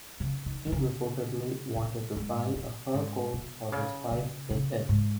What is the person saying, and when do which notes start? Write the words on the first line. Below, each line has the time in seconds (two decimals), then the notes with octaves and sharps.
He reportedly wanted to buy a fur coat for his wife with it.
0.20 C#3
0.46 D#3
0.67 D#3
0.72 C#3
1.76 B2
2.16 G#2
2.55 B2
2.94 G#2
3.34 B2
3.72 C#3
4.11 C#3
4.50 C#3
4.89 G#2